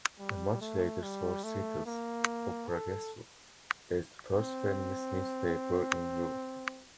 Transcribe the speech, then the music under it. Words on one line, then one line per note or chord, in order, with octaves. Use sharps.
A much later source cites "O Progresso" as the first feminist newspaper in Europe.
G3
A3
G3
A3
A#3
A4
C4